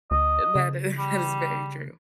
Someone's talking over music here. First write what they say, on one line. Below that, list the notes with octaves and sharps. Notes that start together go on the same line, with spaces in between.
that is that is very true.
D2 D#5
C#3
G3